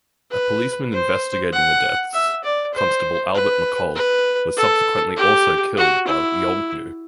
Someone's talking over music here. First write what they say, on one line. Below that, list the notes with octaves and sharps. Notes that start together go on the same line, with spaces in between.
A policeman investigating the deaths, Constable Albert McColl, was subsequently also killed by Yolngu.
B4
C5
F#5
E5
D5
C5
B4
B4
A4
G4
F#4
E4